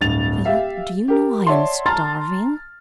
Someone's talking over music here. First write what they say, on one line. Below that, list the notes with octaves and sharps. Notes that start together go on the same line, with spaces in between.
Philip, do you know I am starving?
D1 G2 A6 F7
G4 E5 F5
G4 A#4
C#5 D5 E5 F#5 A5 C6
A5 A#5 C6 F6 A6